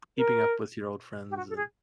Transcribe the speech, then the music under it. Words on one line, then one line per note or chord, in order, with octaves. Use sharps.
keeping up with your old friends and
A#4
G4
F#4
A4
G#4